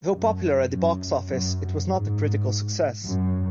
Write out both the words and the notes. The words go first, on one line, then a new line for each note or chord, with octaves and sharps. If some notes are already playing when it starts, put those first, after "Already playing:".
Though popular at the box office, it was not a critical success.
F#2
F#2
F#2
G#2
F#2